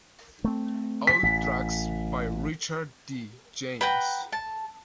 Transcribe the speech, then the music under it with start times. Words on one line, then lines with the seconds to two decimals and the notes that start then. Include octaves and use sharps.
All tracks by Richard D. James.
0.44 A3 C4
1.07 B6
1.23 A1
3.81 B4 F#5 G5 A#5
4.32 A5